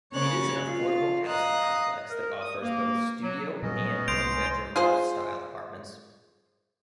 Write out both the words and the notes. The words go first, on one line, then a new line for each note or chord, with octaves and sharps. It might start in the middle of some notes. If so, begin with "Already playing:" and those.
It is an affordable housing complex that offers both studio and one-bedroom loft-style apartments.
C#3 A#3 C#5 F#6 A6
F4 F5
D#5 F5 A#5 D#6 F#6
A#4
D#6
A#3
F#3
A#2 F#3 G3 B3 C#4 D#5
C2 C6 G6 D7 F7
F4 G#4 C5